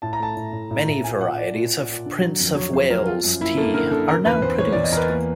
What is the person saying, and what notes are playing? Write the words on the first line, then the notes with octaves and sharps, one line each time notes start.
Many varieties of Prince of Wales tea are now produced.
A2 A5
A#5
A3 A5
A2
A2
A2
A2
A#2 G#5
A#2 F#5
A#2 D5
A#2
A#2
A#2
D3
F#3
F2
F#3 C#5
F2 C5
F#3 A#4
F3 F4
F#2
A#3 E4
A#3 A4
D3 A#4
D3 A4
C#3 A#4
E2 B4
E2 C5
E2 C#5
D5
E2
D#5
E2 A#4 B4
A#3